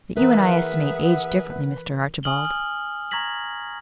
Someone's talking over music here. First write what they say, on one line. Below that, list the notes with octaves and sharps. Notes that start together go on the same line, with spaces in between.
But you and I estimate age differently, Mr. Archibald.
E3 G#4 A#4 B4 E5 F#5
G#5 D#6 F6 F#7 G7
F6
A#5 C#6 G#6 A#6 B6 F#7